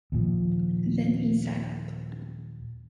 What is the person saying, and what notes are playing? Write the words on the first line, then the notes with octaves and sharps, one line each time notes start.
Then he sat up.
D#2 A#2 F3